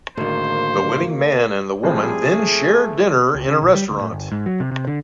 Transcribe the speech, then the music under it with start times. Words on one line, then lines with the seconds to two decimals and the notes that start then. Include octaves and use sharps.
The winning man and the woman then share dinner in a restaurant.
0.17 A2 D3 D#3 A#3 F#4 G#4 C5
1.83 A2 F3 G3 C4 G#4
2.24 A3
3.35 C#2
3.48 C#3
3.62 B1
3.75 G3
3.88 D2
4.01 A2
4.13 G1
4.32 G#2
4.46 F#3
4.60 C3
4.72 C3
4.87 D3